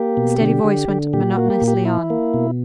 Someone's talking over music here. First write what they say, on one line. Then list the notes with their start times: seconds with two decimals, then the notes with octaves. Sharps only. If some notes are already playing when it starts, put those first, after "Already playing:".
The steady voice went monotonously on.
Already playing: A#3 G4
0.17 B2
0.41 D3
0.64 D3
0.89 D3
1.13 A#2 G4
1.32 F#4
1.37 A#3
1.50 G4
1.61 A#2
1.68 G4
1.85 E4
2.10 A#3
2.34 B2